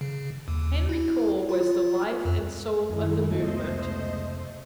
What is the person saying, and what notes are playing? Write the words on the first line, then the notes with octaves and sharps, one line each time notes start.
Henry Cole was the life and soul of the movement.
C#3
D#2
E4
F4
F4
F2
F#2 D#3 G#3 E4
F1 C#2 G#3 A3 B3 C5 D#5